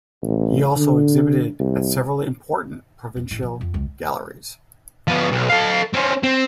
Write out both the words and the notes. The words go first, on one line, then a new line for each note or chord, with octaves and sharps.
He also exhibited at several important provincial galleries.
A1
D3
C2
F2
A1
F3
F2
C#2
F3 B3
B1
A4 F5
C4 C#4
C4